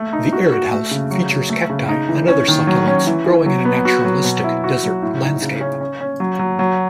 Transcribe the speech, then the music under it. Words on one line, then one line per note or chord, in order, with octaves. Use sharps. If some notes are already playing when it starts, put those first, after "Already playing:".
The Arid House features cacti and other succulents growing in a naturalistic desert landscape.
Already playing: A3
D#4
F#4
F#4
A3
C#3
F#3
F#3
A3
C#3
D#4
E3
C#4
D#3
F#3
C#4
E3
E3
F#3
B3
F#4
F#3
B2
E4
F#4
F#3
A2
D#4
C#3
C#4
C#4
C#4
F#3
F#3
F#3